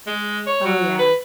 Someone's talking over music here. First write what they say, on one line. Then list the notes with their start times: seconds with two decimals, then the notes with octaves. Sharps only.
Oh, yeah.
0.07 G#3
0.47 C#5
0.65 F#3
0.99 B4